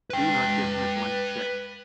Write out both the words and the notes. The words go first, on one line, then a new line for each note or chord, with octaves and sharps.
Do not give him a blank check!
B4 G5